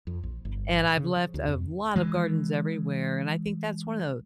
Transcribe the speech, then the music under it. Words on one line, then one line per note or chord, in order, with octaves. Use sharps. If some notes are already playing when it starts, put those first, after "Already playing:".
and I've left a lot of gardens everywhere, and I think that's one of the
F2
A#1
G1
A2
C#3
F3
D2
F2
E3 G#3